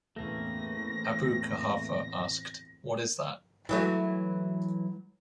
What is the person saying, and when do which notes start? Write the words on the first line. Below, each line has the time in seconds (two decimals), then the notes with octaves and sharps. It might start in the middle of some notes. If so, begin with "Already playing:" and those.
Abu Quhafa asked, What is that?
0.16 E2 A2 A3 A#3 C4 C#4 A#6
3.69 E3 F#3 A3